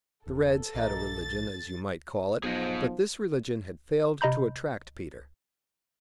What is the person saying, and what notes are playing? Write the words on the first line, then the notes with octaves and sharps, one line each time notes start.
The Reds had a religion, as you might call it; but this religion had failed to attract Peter.
E1 A4
A#1 A#3 D#5 A#5 A6
B1 F3 G#4 C5 D#5
C3 D#5 A#5 B5 G6